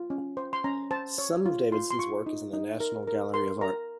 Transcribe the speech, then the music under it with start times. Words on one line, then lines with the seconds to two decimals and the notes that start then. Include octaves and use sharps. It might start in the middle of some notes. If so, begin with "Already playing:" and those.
Some of Davidson's work is in the National Gallery of Art.
Already playing: F4
0.10 C#4
0.37 C5
0.53 C6
0.64 C#4 A#5
0.91 C5 A5
1.18 C#5
1.46 F4
1.72 F4 C6
1.91 C6
1.99 F4 C#6
2.26 D#4
2.53 D#4
2.80 A#4
3.07 A#4
3.34 A#4 C6
3.61 A#4 A#5